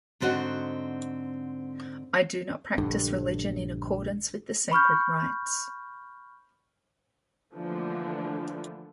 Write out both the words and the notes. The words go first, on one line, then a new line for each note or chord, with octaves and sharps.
'I do not practice religion in accordance with the sacred rites.
G#2 D3 C4 F#4 D#5 F#5
A#1 G2 D3
B5 C#6 F6 G6
D3 E3 F3 A3 A#3 D4